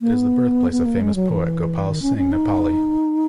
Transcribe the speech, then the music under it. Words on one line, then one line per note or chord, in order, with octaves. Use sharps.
It is the birthplace of famous poet Gopal Singh Nepali.
A#3
B3
B3
A#3
G#3
F#3
E3
D#3
C#4
C#4
D#4